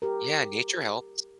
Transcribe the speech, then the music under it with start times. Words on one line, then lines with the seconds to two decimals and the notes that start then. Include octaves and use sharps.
Yeah, nature helps.
0.02 G4 A#4